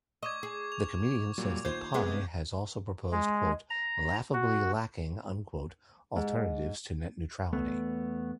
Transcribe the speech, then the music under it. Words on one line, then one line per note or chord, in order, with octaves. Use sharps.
The comedian says that Pai has also proposed "laughably lacking" alternatives to net neutrality.
D#5 C#6 D6 G#6
G#4
F7
A#2 F#3 G3
D#2 F4 C5 G6 G#6
C3 G#3 B3
G#3
A#5
F#4
G#2
E2 A3 B3